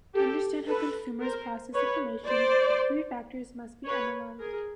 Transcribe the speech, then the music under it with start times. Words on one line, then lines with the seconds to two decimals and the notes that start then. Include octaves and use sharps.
To understand how consumers process information three factors must be analyzed.
0.15 G4 A4
0.68 A4 B4
1.21 A#4 C5
1.74 B4 C#5
2.27 C5 D5
3.86 B4 C#5
4.40 G#4 A#4